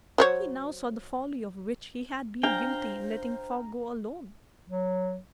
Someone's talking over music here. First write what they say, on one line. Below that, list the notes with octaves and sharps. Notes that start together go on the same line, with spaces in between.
He now saw the folly of which he had been guilty in letting Fogg go alone.
F#3 C5 C#5
D4 C5 F5 G5 A#5
F#3